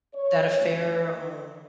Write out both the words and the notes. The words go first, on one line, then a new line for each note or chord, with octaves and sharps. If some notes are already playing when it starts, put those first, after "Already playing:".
that a fair, um,
C#5
F#2 D3 F3 A3